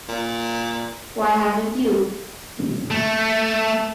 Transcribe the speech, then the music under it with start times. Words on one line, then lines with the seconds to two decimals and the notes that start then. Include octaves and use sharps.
Why haven't you?
0.09 A#2
2.91 A3